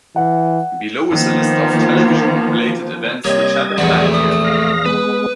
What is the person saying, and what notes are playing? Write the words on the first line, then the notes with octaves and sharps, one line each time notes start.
Below is a list of television-related events which happened that year.
E3 F#5
D#3 F3 A#3 B3
C3 G3 A#3 C#5 D#5 G#6
A#1 E2 A3 C4 D5 F#5
D#6
F5 A#6
G#3 B3 B4